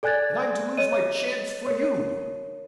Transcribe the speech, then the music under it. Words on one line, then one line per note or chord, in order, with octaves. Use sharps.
And I'm to lose my chance for you!
A4 D5 G#5 F#6 G#6 A6
C#5 D#5 D#7
A#4 C#5